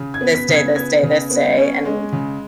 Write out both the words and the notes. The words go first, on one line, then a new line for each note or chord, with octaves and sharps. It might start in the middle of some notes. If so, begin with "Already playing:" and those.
this day, this day, this day," and
Already playing: C#3
G#6
B3
B6
C#3
G#6
B3 G#6
C#3
B3
C#4
G#3
C#3